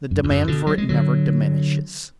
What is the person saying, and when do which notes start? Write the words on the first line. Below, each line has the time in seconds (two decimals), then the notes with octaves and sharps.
The demand for it never diminishes.
0.11 F#2
0.24 E2
0.30 F#2
0.48 B2 D3
0.67 F#3
0.78 G#3
0.89 D3 F#3